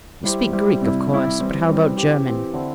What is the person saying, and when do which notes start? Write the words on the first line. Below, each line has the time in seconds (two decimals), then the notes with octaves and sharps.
You speak Greek, of course; but how about German?'
0.24 G3 E4 G4 C5
0.53 G3 E4 G4 C5
0.81 C3 G3 E4
1.11 C3 G3 E4
1.39 E3 G3 C4
1.68 E3 G3 C4
1.97 E3 C4 G4
2.26 E3 C4 G4
2.53 D3 C4 E4 C5